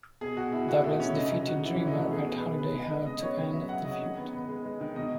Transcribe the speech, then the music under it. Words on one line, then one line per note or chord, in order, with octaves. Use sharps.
Douglas defeated Dreamer at Holiday Hell to end the feud.
B2 G#4
B2 F#4
B2 E4
B2 F#4
A3 E4
A3 C#4
C#3 D#4
C#3 D#4
C#3 F#4
E3 E4
E3 C#4
D#4
A3 F#4
B2 G#4
B3
B4
B2
B2 B4
G#3
D#5
B3
C#3 D#5
B3 C#5
C#3
F#3 E5
F#3 F#5
C#3 D#5
D#3
B3
B3
G#3
G#3
D#3
B2 D#5